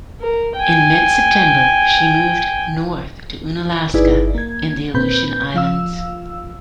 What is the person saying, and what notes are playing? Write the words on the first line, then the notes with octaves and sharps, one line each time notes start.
In mid-September, she moved north to Unalaska in the Aleutian Islands.
A#4
G5 G#5
G1 D#4 E4 G#4 B4 D5
A#3 G#6
A#2 C4 B4 B5 G6
F3 F4 F5 E6